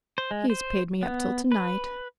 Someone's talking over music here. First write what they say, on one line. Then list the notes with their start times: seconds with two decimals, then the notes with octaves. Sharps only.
He's paid me up till to-night.
0.18 C5
0.31 G#3
0.50 C5
1.03 B3
1.52 B4